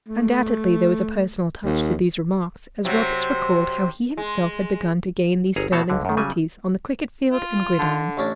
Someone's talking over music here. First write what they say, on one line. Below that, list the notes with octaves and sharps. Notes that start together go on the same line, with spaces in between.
Undoubtedly there was a personal touch to these remarks, as Roberts recalled how he himself had begun to gain these sterling qualities on the cricket field and gridiron.
A3
D#2
C3 F#3
G#3
G1 G#4 C#5 A#5
B2 A3 F#4 C5 C#5 A5
C#2 D3
F#2 D#3
C#3 F#3 G3 G#5
F4
D3
A1 C#4 D4